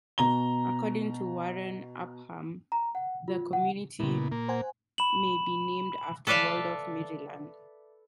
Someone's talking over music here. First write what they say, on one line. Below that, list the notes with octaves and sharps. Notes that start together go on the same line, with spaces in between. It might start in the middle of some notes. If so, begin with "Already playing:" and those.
According to Warren Upham, the community may be named after Waldorf, Maryland.
B2 A#5 G7
A#5
F#5
F4
F#5
A#2 C#3 B3 E4
A#2 A#3
C5 F#5 G#5
B5 E7 F#7
A4 B4 D5 E5 F5 A5